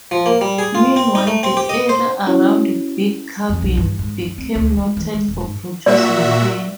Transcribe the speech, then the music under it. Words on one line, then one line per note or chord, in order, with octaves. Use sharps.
Meanwhile, the area around Big Cabin became noted for producing hay.
F3
A#3
G3
G#4
F4
C4
D#4
A3
C4
G4
D#5
C5
C#4 E4 F#4 C#5
F2
B1
G2
G#2
F#2
C4
D2
G#3
E3
G#3
E1
G#2
A#2 F#4 D5 E5